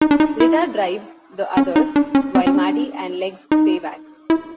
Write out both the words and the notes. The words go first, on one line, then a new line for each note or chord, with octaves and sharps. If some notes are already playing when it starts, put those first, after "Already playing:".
Rita drives the others, while Maddie and Legs stay back.
D#4
D4
D#4
E4
C#4
D#4
D4
C#4
C4
C#4
D4
D#4
E4